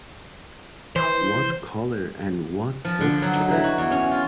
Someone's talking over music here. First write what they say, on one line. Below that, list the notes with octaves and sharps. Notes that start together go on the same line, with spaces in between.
What colour, and what texture!
E3 C5
F3
D3
F#3
D#4
E3
F#4
E2
C#4
F4